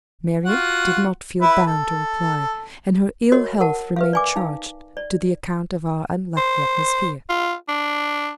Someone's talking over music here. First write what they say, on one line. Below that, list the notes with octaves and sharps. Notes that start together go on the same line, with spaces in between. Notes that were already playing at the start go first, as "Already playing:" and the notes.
Marian did not feel bound to reply, and her ill health remained charged to the account of our unlucky atmosphere.
F4 F#4 F#5
E4 B4
A4
F#4 A#4 C#5 D#5
A#4 F#5 A5
B4 E5 F5
D5 G#5 D6
D#4 F5
D5
C5
F4
D4